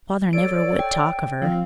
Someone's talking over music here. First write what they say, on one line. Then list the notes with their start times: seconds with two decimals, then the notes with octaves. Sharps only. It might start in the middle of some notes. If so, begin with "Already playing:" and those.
Father never would talk of her.
0.33 A4 C#5 D5 D7
0.79 G5
1.42 F3 C4 F5